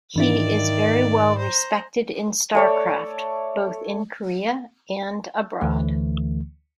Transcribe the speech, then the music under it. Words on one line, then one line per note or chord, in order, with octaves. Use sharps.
He is very well respected in StarCraft both in Korea and abroad.
G#2 D#3 E3 D4 E4 D5 E5
C5 A#5
A3 C#5 D5
D2 D3 E3 A3